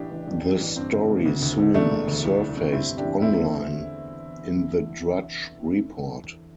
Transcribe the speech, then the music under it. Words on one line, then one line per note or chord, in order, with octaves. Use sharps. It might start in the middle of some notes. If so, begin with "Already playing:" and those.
The story soon surfaced online in the Drudge Report.
Already playing: A1 E3 D4 G4
A1
A1
G2
A1
G2 C4
G1
G1
D2
D2
D3
E1 A3 D4
E1
D2
C2
C2
C3
G2 C4 E4
G1
D4 G4
E3
E2 C4 E4
D3 C4